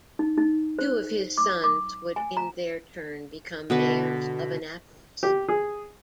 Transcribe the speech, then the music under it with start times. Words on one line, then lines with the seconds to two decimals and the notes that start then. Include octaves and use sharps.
Two of his sons would in their turn become Mayors of Annapolis.
0.19 D#4
0.37 D#4
0.79 C5
1.37 D6
1.64 D6
2.16 G#5
2.37 A#5
3.70 B2 D3 B4 F#5
5.23 G4
5.49 G#4